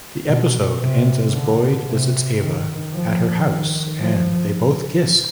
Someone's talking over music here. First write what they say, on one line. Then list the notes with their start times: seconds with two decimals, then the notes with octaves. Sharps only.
The episode ends as Boyd visits Ava at her house and they both kiss.
0.26 B2
0.79 C3
1.32 D3
1.86 C3
2.39 D#3
2.92 F3
3.46 D#3
3.99 F3